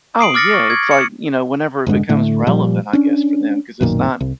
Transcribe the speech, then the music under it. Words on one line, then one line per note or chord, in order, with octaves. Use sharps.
Oh, yeah, it's like, you know, whenever it becomes relevant, I guess, for them 'cause it's not
D#6 C7 D7 F#7
D6 F6 A6 A#6 C#7
C#6
G#6
C#7
F1 G#2 D3 G#3
A2 D3 A3
A#2 F3 G3
C#4 D4
B1 F#2 A#2 D#3
C2